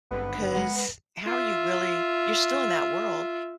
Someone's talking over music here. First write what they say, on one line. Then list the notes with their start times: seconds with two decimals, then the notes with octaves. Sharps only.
'cause how are you really you're still in that world
0.11 G#1 G2 D3 B3 B4
0.55 G#3 A#4 F#5
1.27 F4 E5